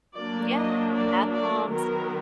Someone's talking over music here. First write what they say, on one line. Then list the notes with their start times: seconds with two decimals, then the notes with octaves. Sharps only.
Yeah, bath bombs
0.16 F#3 A#3 D4 D5
0.55 D#5
0.94 D5
1.33 D5
1.71 D#3 F#3 B3 A#4